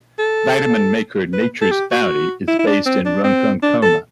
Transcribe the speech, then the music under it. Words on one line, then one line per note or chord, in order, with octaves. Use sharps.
Vitamin maker Nature's Bounty is based in Ronkonkoma.
A4
B4
A4
G4
F#4
E4
E4
D4
C4
D4
C4
D4
A4